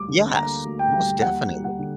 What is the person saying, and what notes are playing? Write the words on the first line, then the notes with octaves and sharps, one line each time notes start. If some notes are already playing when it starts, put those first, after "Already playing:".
Yes, most definitely.
Already playing: D2 G3 D6
D3
A#3 A#5
D2
G5
G3
D#2 F#5
G3
F#5
D3